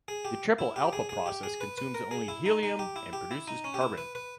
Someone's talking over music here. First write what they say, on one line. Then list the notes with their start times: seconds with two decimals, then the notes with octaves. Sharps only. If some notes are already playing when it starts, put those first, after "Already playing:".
The triple-alpha process consumes only helium, and produces carbon.
0.08 G#4
0.25 G4
0.59 E4
0.76 G4
0.93 G#4
1.09 G#4
1.26 G4
1.43 G#4
1.61 B4
1.78 B4
1.94 A#4
2.11 G#4
2.28 E4
2.46 D#4
2.63 D#4
2.79 G4
2.96 E4
3.13 G4
3.31 E4
3.48 D#4
3.64 C#4
3.74 G4
3.81 E4
3.98 B4
4.15 B4